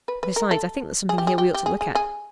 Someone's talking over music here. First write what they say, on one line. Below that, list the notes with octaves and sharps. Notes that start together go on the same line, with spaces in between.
Besides I think there's something here we ought to look at.
B4
B4
A#4
A4
G#4
G4
G#4
G4
G4
G#4
G#4
G#4